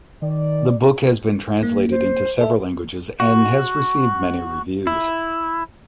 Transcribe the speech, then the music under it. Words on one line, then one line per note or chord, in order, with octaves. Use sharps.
The book has been translated into several languages and has received many reviews.
D#3 D5
A#3
C5
A4 E5
F#4
E4